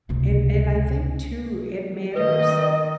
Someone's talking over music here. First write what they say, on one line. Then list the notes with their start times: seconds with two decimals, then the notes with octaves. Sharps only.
And and I think too, it matters
0.09 C#2 C3
2.16 D#3 B4 D#5